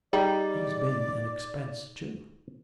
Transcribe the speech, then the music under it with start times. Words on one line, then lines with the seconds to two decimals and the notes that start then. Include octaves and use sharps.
He's been an expense too.'
0.13 G3 D#4 G#4 D5